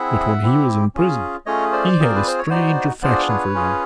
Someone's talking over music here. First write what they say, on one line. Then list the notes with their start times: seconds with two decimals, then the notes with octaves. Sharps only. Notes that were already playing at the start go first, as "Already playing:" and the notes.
But when he was in prison, he had a strange affection for them.
Already playing: C4 E4 G#4 E5 F#5
0.43 C4 E4 G4
0.95 C#4 F4 G#4
1.46 A3 C#4 F4 G#4 C#5 D#5
1.73 C5 D5
1.99 C4 F4 G#4 A#4
2.16 B4
2.28 C5
2.39 C#5
2.50 B3 D#4 F#4 C5 D5
3.02 B3 D4 F4 G#4 C5 D5
3.28 B4 C#5
3.55 C#4 F4 G#4